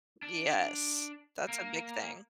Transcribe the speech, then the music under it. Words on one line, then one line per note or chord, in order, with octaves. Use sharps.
Yes. That's a big thing.
D4
A#3